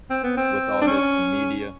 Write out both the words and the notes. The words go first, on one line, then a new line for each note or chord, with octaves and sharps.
with all this media.
C4
B3
C4
D4
C#4